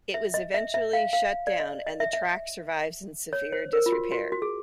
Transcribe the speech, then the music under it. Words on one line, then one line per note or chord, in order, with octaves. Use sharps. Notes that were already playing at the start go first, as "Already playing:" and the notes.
It was eventually shut down and the track survives in severe disrepair.
E5
D#5
E5
E5
F5
F5
D5
D#5
D#5
E5
E5
C#5
C5
A#4
F4
F#4
F#4
F#4
G#4